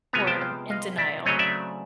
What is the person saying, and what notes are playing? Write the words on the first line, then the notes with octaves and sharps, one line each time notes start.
or in denial?
C3 F3 G#3 B3 G#5 A#5
G5 A5
F5 G5
D#5 F5
D5 E5
C#3 F#3 A3 C4 C#5 D#5
D5 E5